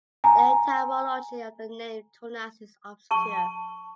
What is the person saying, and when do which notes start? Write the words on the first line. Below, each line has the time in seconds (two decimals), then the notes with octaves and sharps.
The etymology of the name Tunas is obscure.
0.24 G#5 A#5
3.11 A5 C#6